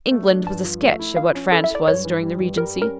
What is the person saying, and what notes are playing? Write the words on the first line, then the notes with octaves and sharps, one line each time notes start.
England was a sketch of what France was during the regency.
A3
D4
G2 A5
F3
A3
E4
F3 F5
C#4
E4 A4
E5
A4 D5
G2 C#5
E3
G3
G2
G3 A#4
C#4
A#4